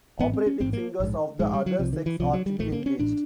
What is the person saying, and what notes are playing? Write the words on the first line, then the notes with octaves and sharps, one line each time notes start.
Operatic singers of the other sex are to be engaged.
A1 G#2 B3
C4
C#4
A1 G#2 C4
A#3
A#1 G#2
A#1 G#2 G#3
G3
F#3
C2 C3 F3
D#3
E3
C2 C3 F3
F#3
G3
A1 A2 A3
A#3
C#4
A1 A2 D4